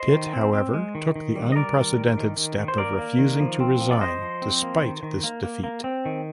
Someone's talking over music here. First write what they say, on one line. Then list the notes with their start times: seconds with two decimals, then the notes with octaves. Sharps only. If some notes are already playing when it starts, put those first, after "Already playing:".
Pitt, however, took the unprecedented step of refusing to resign, despite this defeat.
Already playing: C5 D#5
0.12 D#3
0.33 C4
0.53 C4
0.74 G#3
0.95 D#3
1.16 D#3
1.36 G3
1.52 D#5
1.56 G3 A#4 D5
1.77 D#3
1.97 D#3
2.18 D#3
2.37 D#3
2.58 D#3
2.68 C5
2.78 A#3 A#4 D5
2.99 A#3
3.19 D#3
3.40 F3
3.60 C4
3.81 F3
3.91 D5
4.01 F3 C5 D#5
4.22 F3
4.42 C4
4.62 A#3
4.82 D#3
5.03 D#3
5.24 A#3
5.43 A#3
5.64 A#3
5.84 C4
6.05 D#3